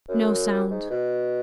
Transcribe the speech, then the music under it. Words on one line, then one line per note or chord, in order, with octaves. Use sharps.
No sound.
F#2
G#2
B2